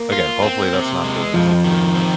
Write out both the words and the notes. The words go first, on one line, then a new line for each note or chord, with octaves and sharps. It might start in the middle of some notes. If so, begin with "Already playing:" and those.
again, hopefully, that's not the situation.
Already playing: A#3
F4
C4
C3
G#3
F2 F3
D#3
C4